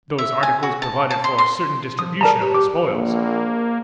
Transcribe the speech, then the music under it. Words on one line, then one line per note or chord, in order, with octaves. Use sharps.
Those articles provide for a certain distribution of the spoil.
E5
G#5
F#4
A5
A5
C6
C6
F3 D#6
G#4 A#4 D5 A5 A#5
G4 B4 C#5
G4 D6
A#1 A#3